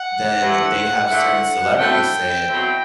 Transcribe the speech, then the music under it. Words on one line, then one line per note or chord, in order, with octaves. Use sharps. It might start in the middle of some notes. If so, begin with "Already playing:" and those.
then they have certain celebrities say it,
Already playing: F#5
G2 E3 A3
D3 A3 E4
B2 A3 C4 E4 G5
B2 F#3 C4 E4